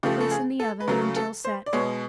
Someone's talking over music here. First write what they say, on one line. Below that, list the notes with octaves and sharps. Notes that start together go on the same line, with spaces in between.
Place in the oven until set.
C#3 F3 A3 G4
A4
G#4
A4
B4
C#3 F#3 A3 A#4
A4
C5
D5
B2 G#3 B3 C#5